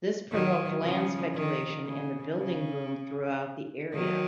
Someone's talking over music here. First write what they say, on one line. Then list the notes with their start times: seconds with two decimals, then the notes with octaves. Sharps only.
This provoked land speculation and a building boom throughout the area.
0.31 D#3 F#3
0.83 C#3 F3
1.34 D#3
1.86 C#3
2.38 C#3
3.93 D#3 F#3